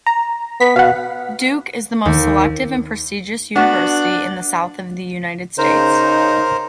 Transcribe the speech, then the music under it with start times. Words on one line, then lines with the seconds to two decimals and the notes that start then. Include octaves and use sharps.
Duke is the most selective and prestigious university in the south of the United States.
0.06 A#5
0.60 B3 B6
0.76 B2 F5 F#5
2.05 D#2
3.56 B3 D4 F#4
5.58 C#3 D#4 A#4 C5